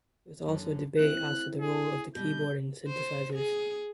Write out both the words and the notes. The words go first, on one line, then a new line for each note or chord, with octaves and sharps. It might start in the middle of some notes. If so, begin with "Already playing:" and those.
There was also debate as to the role of the keyboard in synthesizers.
F#2 D3
A3 C4 E4 F#6
G#4
B2 G3 G6
C5
G#4